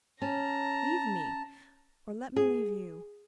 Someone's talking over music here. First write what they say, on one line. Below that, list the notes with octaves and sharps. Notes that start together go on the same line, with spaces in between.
Leave me! or let me leave you.
C#4 A5 A#5
G#4